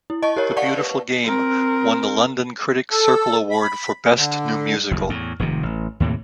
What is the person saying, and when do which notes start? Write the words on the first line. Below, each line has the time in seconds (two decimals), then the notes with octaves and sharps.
"The Beautiful Game" won the London Critics Circle Award for best new musical.
0.10 E4
0.23 D#5 A5 C#6
0.37 G4 A#4 C#5
0.57 D5 F5 F#5 A5 C#6
0.78 B4
1.24 C4 A#4
2.91 A4
3.51 B5
4.17 D3
4.91 F#1 D#2
5.09 E2 A2
5.39 F1 G#2 C3 D#3
5.63 A1
6.00 D#2 A2 C3 A#3